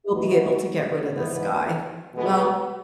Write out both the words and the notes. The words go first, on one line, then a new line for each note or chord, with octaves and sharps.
we'll be able to get rid of this guy." Well,
E3 B3 D#4 F#4 B4
G#2 E3 B3
B2 G#3 B3